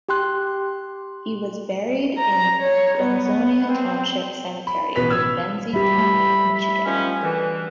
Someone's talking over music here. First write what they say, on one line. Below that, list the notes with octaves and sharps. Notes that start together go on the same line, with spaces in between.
He was buried in Benzonia Township Cemetery in Benzie County, Michigan.
G4 G5 C6 F#6
A#5
C#5
B3
C4
B5
A1 B2 B4 B6 F7
E6 G#6
G3 G4 E5 B5
A3
D#3 F3 C#4
B2 D3 E3